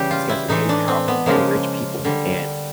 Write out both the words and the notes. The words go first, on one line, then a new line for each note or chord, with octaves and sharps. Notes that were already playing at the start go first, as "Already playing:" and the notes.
these guys are very powerful, very rich people, and
Already playing: C#3 E3 G3 G4
F4
E4
A2 E3 G#3 D#4
D4
C4
B3
C#3 F3 G#3 A#3
D3 G3